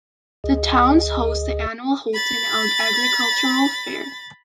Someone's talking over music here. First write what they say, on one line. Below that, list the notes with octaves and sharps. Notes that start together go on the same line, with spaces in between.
The town hosts the annual Houlton Agricultural Fair.
D2 G#4 D#5
B5 A6